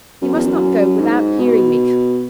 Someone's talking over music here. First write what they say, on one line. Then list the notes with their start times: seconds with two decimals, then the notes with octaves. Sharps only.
You must not go without hearing me.
0.22 F#2
0.33 E2
0.46 F#2
1.01 G#2
1.40 B2